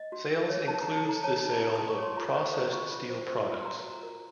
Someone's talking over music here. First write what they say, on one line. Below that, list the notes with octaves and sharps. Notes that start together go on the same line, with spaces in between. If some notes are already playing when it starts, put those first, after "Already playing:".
Sales includes the sale of processed steel products.
Already playing: D#5
F#4
A#4
C#5
D#4 A5
A#5
D#4
A5
A4 A#5
C#5 A5
D#4 A#5
A5
D#4
A4 D#6
C#6
C#5 C6
F4 A#5
C5 C#6
C5 D#6
F4 C#6
F4
C5
C5
F4
C6
F#4 A#5
F#4
A#4